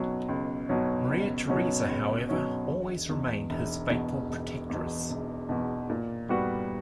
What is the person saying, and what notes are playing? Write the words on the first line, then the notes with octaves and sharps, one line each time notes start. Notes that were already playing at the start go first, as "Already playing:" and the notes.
Maria Theresa, however, always remained his faithful protectress.
Already playing: C#2 B2 F#3 C#4
C#2
B2 F#3 C#4
C#2
B2 F#3 C#4
C#2
B2 F#3 C#4
E1
E2 B2
E1
E2 B2
E1
E2 B2
E1
E2 B2
A#2
G3 B3 F#4